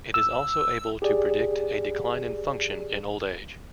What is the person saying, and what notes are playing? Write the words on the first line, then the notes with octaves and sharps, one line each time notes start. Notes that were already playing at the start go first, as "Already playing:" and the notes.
It is also able to predict a decline in function in old age.
E6
G4 G#4 D5